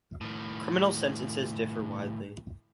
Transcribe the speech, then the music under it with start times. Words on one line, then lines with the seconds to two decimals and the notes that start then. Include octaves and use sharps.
Criminal sentences differ widely.
0.21 A2 D#3